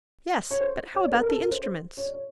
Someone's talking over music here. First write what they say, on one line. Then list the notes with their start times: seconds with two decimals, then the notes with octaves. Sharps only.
"Yes, but how about the instruments?"
0.51 C#5
0.60 C5
0.95 C#5
1.04 D5
1.12 B4
1.21 A#4
1.29 A4
1.40 A#4
1.51 C5
1.63 C5
1.97 C#5
2.05 D5
2.14 C#5